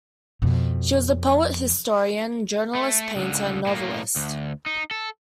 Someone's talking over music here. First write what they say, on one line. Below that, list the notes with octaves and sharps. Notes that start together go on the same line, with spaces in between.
She was a poet, historian, journalist, painter and novelist.
F2 B2
A3
C#2 D3
A2 A#3
D2
D#4
A4